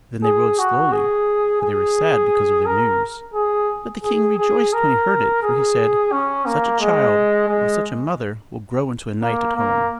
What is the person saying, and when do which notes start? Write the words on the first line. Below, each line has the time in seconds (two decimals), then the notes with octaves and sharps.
Then they rode slowly, for they were sad because of their news; but the king rejoiced when he heard it, for he said: "Such a child, with such a mother, will grow into a knight at home."
0.24 G#4
0.59 F#4
0.93 G#4
1.62 G#4
2.66 A#4
3.34 G#4
4.04 G#4
4.38 G#4
4.74 A#4
5.43 G#4
6.12 C#4
6.46 A#3
6.80 G#3
7.49 G#3
9.22 A#3
9.56 A#3